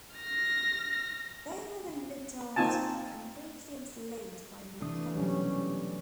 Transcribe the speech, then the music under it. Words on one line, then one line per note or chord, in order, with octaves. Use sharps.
They were then looked after and briefly enslaved by Makah.
F6 A#6
A#3 C4 D#4 F4 G#5 A5
C3 E3 A3 D4 D#6
B2 F#3 G3 C#4